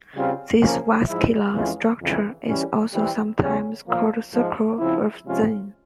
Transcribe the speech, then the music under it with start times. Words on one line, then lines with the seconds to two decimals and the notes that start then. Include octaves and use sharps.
This vascular structure is also sometimes called "circle of Zinn".
0.15 C#3 G3 C4 F4
0.62 C#3 F3 A#3 C#4
1.08 G#2 F3 G#3 E4
1.54 F2 E3 G#3 C#4 F4
2.01 F2 C#3 E3
2.46 E3 G3 C#4
2.93 E3 G3 C4
3.40 E2 C#3 G3 C#4
3.86 A#2 F3 A#3
4.33 G#2 F3 G#3
4.79 C#3 F3 C4 E4
5.25 C3 F3 G#3 C#4 F4